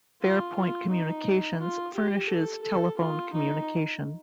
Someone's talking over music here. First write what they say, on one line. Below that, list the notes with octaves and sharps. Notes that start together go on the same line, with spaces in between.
FairPoint Communications furnishes telephone communication.
F4
F4
D#4
F4
G4
A4
A4
F4
D#4